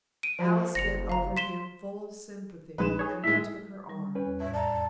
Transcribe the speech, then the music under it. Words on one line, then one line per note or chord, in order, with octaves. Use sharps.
Alice bent over him full of sympathy, and he took her arm.
D7 D#7
F3 F#4 C5
F#1 A#6 C#7 F7
F5 A#5
C6 B6 E7 G7
A#1 G#3 D#4 B4 E7
G#4 C#5
A2 D#3 G#3 E5
G3 C#6
E2 C#4 B4 C#5
F2 A2 E5
D5 A5 A#5